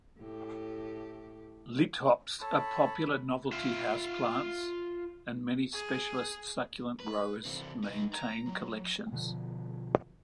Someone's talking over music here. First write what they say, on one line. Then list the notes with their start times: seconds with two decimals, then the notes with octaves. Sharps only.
"Lithops" are popular novelty house plants and many specialist succulent growers maintain collections.
0.18 A2 G4
2.41 A4 C#5 A5 B5
3.52 F4 E5
5.73 G#4
7.00 B4
7.45 D3 C4
7.84 D#4 B4
8.13 A#5
8.47 F#3 G4
9.12 B2 D3 F3